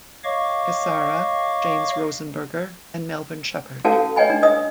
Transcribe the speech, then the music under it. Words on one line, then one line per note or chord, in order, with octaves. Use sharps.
Cassara, James Rosenberger and Melvin Sheppard.
C#5 D#5 F5 C#6 D6
C#4 F#4 A4 B4 F5 A5
B4 C#5 D#5 G5 G#5 B5
D4
B4 D#5 D#6